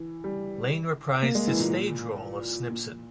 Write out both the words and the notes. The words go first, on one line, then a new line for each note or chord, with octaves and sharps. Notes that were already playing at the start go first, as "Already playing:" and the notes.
Lane reprised his stage role of Snibson.
Already playing: E3
G3
A#3
G#3
E3
A#2
A#2